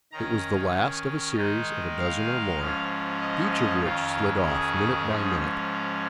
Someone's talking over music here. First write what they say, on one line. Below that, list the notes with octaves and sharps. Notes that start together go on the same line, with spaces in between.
It was the last of a series of a dozen or more, each of which slid off minute by minute.
D#3 C#4 A#5
D#3 G#3 D#4
F5
G#2 F3 C#4
D#5
D#5
F2 D#3 C#4 F4
G#4
G#2 F3 C#4